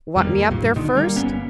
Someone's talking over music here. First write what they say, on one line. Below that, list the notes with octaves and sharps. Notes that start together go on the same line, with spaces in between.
"Want me up there first?"
F2 D#3 G3 A#3
B1 G2 A#2
D3 D#3
G3 A#3
G1 A#3 B3 C#4